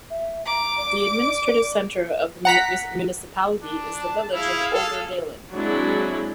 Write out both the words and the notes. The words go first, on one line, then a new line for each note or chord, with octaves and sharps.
The administrative centre of the municipality is the village of Olderdalen.
E5
A#5 D6
D5
F#5 A#5 B6
D4
A5
E4 G#4 F5
A4
F#3 G#3 C4 D4 E4